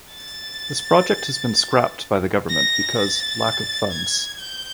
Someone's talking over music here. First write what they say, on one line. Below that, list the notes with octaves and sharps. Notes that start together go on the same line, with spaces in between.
This project has been scrapped by the government because lack of funds.
A6
A#6
A6
G#6
G6